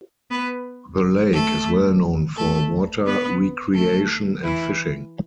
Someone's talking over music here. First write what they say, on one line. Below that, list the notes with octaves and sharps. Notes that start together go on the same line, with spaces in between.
The lake is well known for water recreation and fishing.
B3 B4
A3 A4
A3 A4
B3 B4
A3 A4
E3 E4